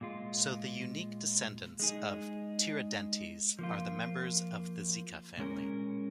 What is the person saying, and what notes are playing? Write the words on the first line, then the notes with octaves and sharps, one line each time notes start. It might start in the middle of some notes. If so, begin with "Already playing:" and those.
So the unique descendants of Tiradentes are the members of the Zica family.
A#2 G#3 F4
G#3 D#4 G#4
F3 A#3 F4
A#2 G#3 C#4 A#4